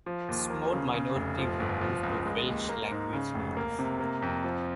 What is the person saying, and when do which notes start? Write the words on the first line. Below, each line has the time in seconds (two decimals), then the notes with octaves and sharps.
A small minority would move to Welsh language names.
0.06 F3
0.29 D#2
0.50 A#3
0.72 C#3
0.94 C#3
1.15 F1
1.38 F3
1.60 G1
1.81 F3
2.03 C#2
2.26 G#3
2.48 D#2
2.69 A#3
2.91 G#2
3.13 C#3
3.35 F1
3.57 A#3
3.79 C3
4.00 A#3
4.22 F2
4.44 F3